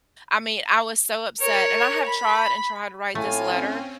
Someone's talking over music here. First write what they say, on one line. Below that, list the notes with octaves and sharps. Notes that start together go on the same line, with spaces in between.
I mean, I was so upset, and I have tried and tried to write this letter,
A#4 C#5
B5
A2 A3 C4 C#4 F4 G#5